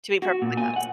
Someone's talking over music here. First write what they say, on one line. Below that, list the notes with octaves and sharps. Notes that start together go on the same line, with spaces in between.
to be perfectly honest.
F#4
A#2
G#5
F#5